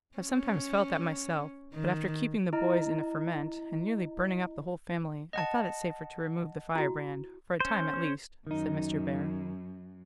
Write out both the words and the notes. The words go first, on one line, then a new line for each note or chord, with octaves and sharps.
"I've sometimes felt that myself; but after keeping the boys in a ferment, and nearly burning up the whole family, I thought it safer to remove the firebrand, for a time at least," said Mr. Bhaer.
C#4
D#3
E4 D#5 A#5
D#5 F#5 A5
E4 F#4
C#4 C5
F#2 D#3 D#4